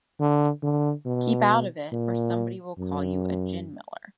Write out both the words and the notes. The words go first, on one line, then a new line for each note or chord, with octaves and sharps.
Keep out of it, or somebody will call you a gin-miller.
D3
D3
B2
A#2
F#2